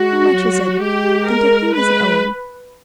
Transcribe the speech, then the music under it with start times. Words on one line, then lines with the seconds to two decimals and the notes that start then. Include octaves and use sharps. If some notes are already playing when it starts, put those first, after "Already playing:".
How much is it and to whom is it owing?
Already playing: G#3 F#4
0.31 F#3
0.79 G#3 G4
1.28 A#4
1.75 G#3 B4